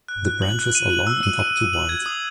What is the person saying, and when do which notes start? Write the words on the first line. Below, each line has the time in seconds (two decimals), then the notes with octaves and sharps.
The branches are long and up to wide.
0.08 F#6
0.25 F#6
0.42 F#7
0.59 F#6
0.75 D#7
0.90 F#7
1.07 E6
1.23 D#7
1.40 D#7
1.56 D#7
1.73 F#7
1.89 G#6
2.06 D#6